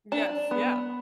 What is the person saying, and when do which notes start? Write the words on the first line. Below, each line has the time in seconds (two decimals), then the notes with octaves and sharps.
Yes, yeah,
0.12 D4 A5
0.51 B3